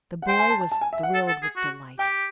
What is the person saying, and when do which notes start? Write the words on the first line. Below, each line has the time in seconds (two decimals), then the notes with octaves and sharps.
The boy was thrilled with delight.
0.22 F#5
0.28 C5 G5
0.39 G#5
0.50 A5
0.61 A5
0.72 A5
0.81 G#5
0.93 E5
1.03 F#5
1.14 A4
1.28 A4
1.43 G#4
1.57 F#4
1.99 G4 G5